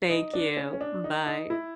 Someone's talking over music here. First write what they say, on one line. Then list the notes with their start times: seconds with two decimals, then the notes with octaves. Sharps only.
Thank you, bye.
0.10 D#4
0.34 D4
0.57 C#4
0.73 C#4
0.81 D4
1.04 D#4
1.27 D#4
1.50 E4